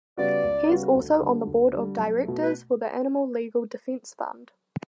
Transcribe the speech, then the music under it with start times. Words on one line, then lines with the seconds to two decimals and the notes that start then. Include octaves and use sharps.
He is also on the Board of Directors for the Animal Legal Defense Fund.
0.17 C#3 G3 B3 F#4 D5
0.43 C#2
0.69 C#3 G3 B3 F#4
0.95 D2
1.21 D3 G3
1.47 D2
1.72 D3 G3
1.98 B1
2.24 B2 A3
2.43 B4